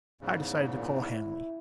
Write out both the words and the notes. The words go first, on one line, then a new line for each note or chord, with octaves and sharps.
I decided to call Hanley.
E2 G#2 C#3
A#2
E4